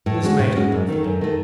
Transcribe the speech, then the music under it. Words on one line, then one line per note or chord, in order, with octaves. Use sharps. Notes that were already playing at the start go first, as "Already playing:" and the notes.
This made her laugh again.
A2
G#3 C#4 F#4
A2
G#3 C#4 F#4
F#2
D#3 A3
F#2
D#3 A3